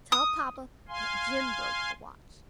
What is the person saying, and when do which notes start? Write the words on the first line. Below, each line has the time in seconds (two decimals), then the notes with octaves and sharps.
"Tell papa that Jim broke the watch."
0.12 D#6
0.89 F5 G#5 C6